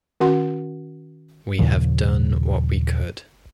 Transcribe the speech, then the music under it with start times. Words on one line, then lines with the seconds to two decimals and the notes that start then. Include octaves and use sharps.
We have done what we could.
0.20 D#3 C#4 F#4 F#5 C6
1.59 D#2 A#2 C#3 F3